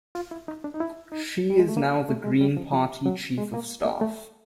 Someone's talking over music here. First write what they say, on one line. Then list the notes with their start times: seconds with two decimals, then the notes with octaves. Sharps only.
She is now the Green Party Chief of Staff.
0.15 F4
0.31 E4
0.48 D#4
0.64 D4
0.74 D#4
0.80 E4
1.12 D#4
1.50 G3
1.60 G#3
1.68 A3
1.77 A#3
2.09 A3
2.24 G#3
2.41 G3
2.57 F3
2.73 F3
3.06 F#3
3.38 G#3
3.54 A#3
3.85 A#3
4.01 A3